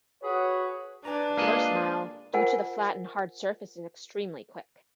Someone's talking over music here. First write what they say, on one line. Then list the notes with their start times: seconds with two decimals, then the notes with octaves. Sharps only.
The first mile, due to the flat and hard surface is extremely quick.
0.23 F#4 G#4 B4 C#5 F#5
1.05 D4 B4 G#5 A#5
1.37 G#3 A#3 F4 G#4 D#5
2.33 F4 A#4 C5 F#5 G#5